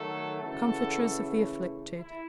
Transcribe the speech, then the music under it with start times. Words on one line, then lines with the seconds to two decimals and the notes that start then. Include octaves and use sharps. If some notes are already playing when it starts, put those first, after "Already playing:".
Comfortress of the afflicted.
Already playing: D#3 F#3 A3 F#4 A4
0.41 C#3 E3 A3 F#4 A4
1.98 E4